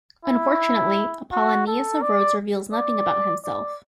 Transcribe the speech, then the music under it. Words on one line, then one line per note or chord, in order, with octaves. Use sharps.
Unfortunately, Apollonius of Rhodes reveals nothing about himself.
E4
F#4
A4
D5
D5
D5